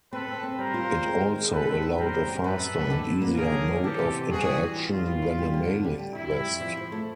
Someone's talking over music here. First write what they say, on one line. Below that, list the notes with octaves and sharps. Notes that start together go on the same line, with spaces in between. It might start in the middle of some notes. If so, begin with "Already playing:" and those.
It also allowed a faster and easier mode of interaction than a mailing list.
C4 A4 B4
C4
C4
G3 A#4 C5
F4
C4
G#3
D#3
G#3
G#3 A4 B4
D#3
C4
G3 A#4 C5
G3
F#2
F#2 A4 B4
F#2
D#3
D3
D3
A#3
D3 G#4 A#4
F#3
D3
E3 G4 A4
C3
E2
G3 F#4 G#4
E3
G3
E4 F4
G3
E4
E4
G3
D3
F2
G3
G3
F2 E4
G3
F2
F3
F3
A3